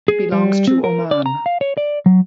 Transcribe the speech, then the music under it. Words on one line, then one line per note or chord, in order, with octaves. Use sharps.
It belongs to Oman.
G#4
G3
C4
A#4
D5
A#5
F5
C#5
D5
F#3